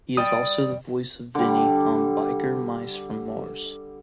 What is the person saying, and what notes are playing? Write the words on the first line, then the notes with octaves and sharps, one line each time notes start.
He is also the voice of Vinnie on "Biker Mice from Mars".
G3 D5 G5 D#6
D3 G3